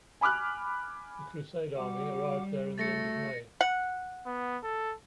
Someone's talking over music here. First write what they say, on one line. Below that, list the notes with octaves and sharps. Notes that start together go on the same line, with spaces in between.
The crusade army arrived there in the end of May.
G#5 B5 D6 F6 F#6
G3 F#4 F#5 D6
A3 F#4 A6 A#6 C#7
F#5
B3
A4